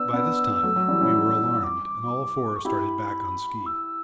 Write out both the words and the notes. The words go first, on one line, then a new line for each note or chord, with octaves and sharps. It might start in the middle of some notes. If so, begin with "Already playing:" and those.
By this time we were alarmed, and all four started back on ski.
Already playing: B3 D4 E6
B3 D4
F#3 A3
F#3
E3 G3
C#4 E4
D6
C#6
E4 G4 B5
E6